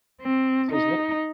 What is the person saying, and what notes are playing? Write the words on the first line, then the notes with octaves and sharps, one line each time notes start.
So, it was lit
C4
D#4